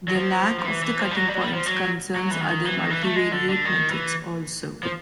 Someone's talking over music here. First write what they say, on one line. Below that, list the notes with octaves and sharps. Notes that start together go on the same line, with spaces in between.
The lack of the cutting points concerns other multivariate methods, also.
F#3
F3
F3
E3
E3
F3
G3
F#3
G3
F#3
G3
F3
F#3
F#3
E3
D#3
E3
E3
D#3
E3
A3
G#3
D3
D3
D#3
E3
F3